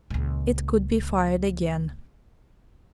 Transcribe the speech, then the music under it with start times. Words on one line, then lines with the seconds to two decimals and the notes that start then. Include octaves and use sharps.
It could be fired again.
0.10 C#2 A#2